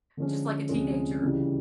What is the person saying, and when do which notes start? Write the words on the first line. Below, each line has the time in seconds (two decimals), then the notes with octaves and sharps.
Just like a teenager.
0.17 D3 F3 G#3 C#4
0.69 D2 C3 F3 G#3 C#4
1.21 C#2 C#3 E3 G3